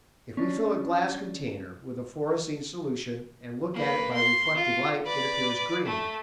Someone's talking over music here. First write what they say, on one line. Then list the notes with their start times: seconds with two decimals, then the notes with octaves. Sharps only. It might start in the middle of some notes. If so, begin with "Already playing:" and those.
If we fill a glass container with a fluorescein solution and look at it by reflected light it appears green.
0.37 C#4 D4
3.74 A#3 B4
4.14 C6
4.55 F4
5.06 B4 D5
5.85 A3